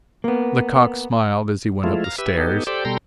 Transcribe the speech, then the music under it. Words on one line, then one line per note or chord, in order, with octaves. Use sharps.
Lecoq smiled as he went up the stairs.
A#3 B3
F3 G#3 A3 E4 F4
F5 A#5
G4 B4 E5
B3 D#4 G4 A4
G4 A4 C5 D5 G5
B2 G3 A4 G5 A#5 C6